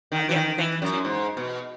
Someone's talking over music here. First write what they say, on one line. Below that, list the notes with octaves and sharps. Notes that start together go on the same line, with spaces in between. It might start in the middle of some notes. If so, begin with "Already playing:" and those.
Oh, yeah, eh, thank you, too.
D#3
E3
D#3
E3
F#2
G#2
B2